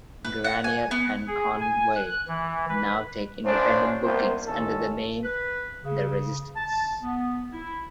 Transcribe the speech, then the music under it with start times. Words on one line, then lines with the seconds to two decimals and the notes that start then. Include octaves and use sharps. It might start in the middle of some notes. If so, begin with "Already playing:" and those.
Grenier and Conway now take independent bookings, under the name "The Resistance".
0.25 B4
0.44 F#5
0.64 G#5
0.91 B3
1.28 G#4
1.60 G#5
1.95 F#6
2.28 E3
2.69 B4
3.45 A1 C#4 D4 C5
4.03 C2 A#3 B3 C5
4.47 A1 D#2 C#4 E4 A4
5.24 B4
5.85 C#3
6.56 A5
7.03 B3
7.53 E4